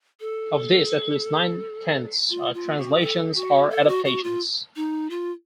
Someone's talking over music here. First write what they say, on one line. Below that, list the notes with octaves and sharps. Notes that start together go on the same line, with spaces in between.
Of these at least nine-tenths are translations or adaptations.
A4
F4
F4
F#4
A4
F#4
A4
F#4
F#4
F4
D#4
F4